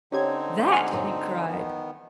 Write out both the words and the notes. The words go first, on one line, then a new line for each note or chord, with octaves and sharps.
"That!" he cried.
D3 C4 C#4 D#4 G4 G#6
F#5 G#5 F6
G2 A#2 F#3
D#3 B3